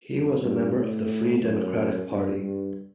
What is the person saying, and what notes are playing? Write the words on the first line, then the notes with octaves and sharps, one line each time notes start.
He was a member of the Free Democratic Party.
F#2
G2
A2
F#2
G2
G2